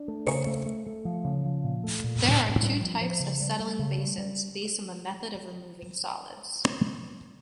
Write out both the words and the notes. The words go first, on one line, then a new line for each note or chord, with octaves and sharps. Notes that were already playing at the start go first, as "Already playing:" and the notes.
There are two types of settling basins, based on the method of removing solids.
Already playing: D4
A3
C#3
A3
A3
A3
F3
C#3
F3
A#2
A3
A#2
A2
A2
G3
F3
F3
C#3
G3
G3
C#3
G3
G3